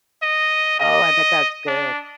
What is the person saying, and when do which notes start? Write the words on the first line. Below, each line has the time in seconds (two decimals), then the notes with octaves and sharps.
Oh, I bet that's good.
0.22 D#5
0.80 D#5
1.67 D4